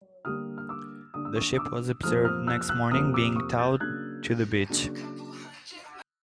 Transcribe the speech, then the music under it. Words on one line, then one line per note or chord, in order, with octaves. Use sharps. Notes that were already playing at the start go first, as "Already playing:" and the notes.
The ship was observed next morning being towed to the beach.
D3 G3 A#3 D4 D#6 F6
F6
D6 E6
D3 G3 A#3 D4 D#6
E6
C#6 D#6
D#6
D6 E6
F2 C3 F3 A#3 D#6 F6
D#6 F6
E6 F#6
E6 F#6
F2 C3 F3 A#3 D#6 F6
D6 E6
C#6 D#6
G6 A6
C#3 F#3 A#3 D4 F#6 G#6
C#3 F#3 A#3 D4